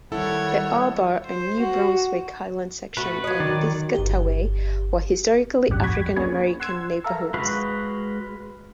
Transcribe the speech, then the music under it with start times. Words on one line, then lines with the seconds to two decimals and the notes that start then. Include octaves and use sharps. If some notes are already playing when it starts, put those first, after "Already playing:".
The Arbor and New Brunswick Highland sections of Piscataway were historically African American neighborhoods.
0.12 D#3 G3 E4 A4 C#5 F#5
1.25 C5
1.60 F#4
2.97 A3 F#4 B4
3.24 F#3 D#5
3.40 D#3 D5
3.94 G1 G4
5.68 A1 D2 G2 G3 G4 F#5
5.83 F2 F#4 G4 B5 G#6
6.16 A#3 C#4 D4 G#4 B4 C#5
6.60 F#5 C6 E6 G#6
7.04 A4 A#4 E5 F5 A#5
7.34 G#3 F#4 B4 F5